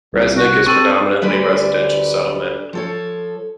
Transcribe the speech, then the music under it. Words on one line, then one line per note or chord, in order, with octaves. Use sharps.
Resnik is predominantly residential settlement.
C2
F#4
C4 A4 C#6 D#7 F#7
D2 D3 G3 B4 D5
F3 A4 C#5